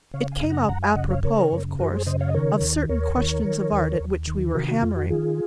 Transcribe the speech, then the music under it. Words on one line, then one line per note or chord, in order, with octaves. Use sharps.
It came up apropos, of course, of certain questions of art at which we were hammering.
C#3 C#5 F5
F5 G#5
F#2
F#5 A#5
F#2 F#5 A#5
F5 G#5
C#3 D#5 F#5
C#5 F5
C#3 A#4 C#5
F#2
F#2 F#4 A#4
G#4 C5
C#3 C5 D#5
C#5 F5
D#5
D#3 A#4 C#5
D#2
D#2 A#4 C#5
D#3
D#3
D#2
D#2
D#3
C3 F#4 A#4
F#4
F2 F4
F#4
D#3 F4 G#4